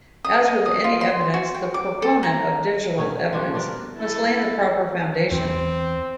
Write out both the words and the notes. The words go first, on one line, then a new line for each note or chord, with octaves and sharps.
As with any evidence, the proponent of digital evidence must lay the proper foundation.
D#6
D#5
D#6
F4
C6
F#4
G5
D6
A4
A#5
A3 B3 C#4 G#4
F3 G3 D4 F#4
B3 D4 A#4 D5
E4 A4
E2 C4